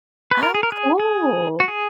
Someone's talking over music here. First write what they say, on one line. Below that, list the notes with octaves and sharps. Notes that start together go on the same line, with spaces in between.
Oh, cool!
B4
A#4
G#4
A#4
G#4
G#4
F#4
G#4